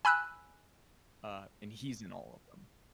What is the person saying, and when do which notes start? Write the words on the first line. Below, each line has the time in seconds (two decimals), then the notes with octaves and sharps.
uh, and he's in all of them.
0.05 G#5 B5 E6 F#6